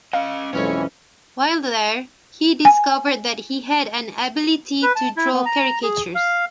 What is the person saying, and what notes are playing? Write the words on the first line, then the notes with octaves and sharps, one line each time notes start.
While there, he discovered that he had an ability to draw caricatures.
C#4 D#5 F5
B1 F2 E3 G#3 C#4 C#5
G#5
B4
A5
E4
B3
A#5
G#4
F5